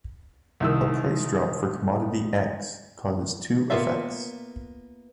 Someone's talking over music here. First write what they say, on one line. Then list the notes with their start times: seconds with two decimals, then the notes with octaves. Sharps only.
A price drop for commodity X causes two effects.
0.60 C2 D#3 E6
3.70 A#3 B3 F4 E5 F5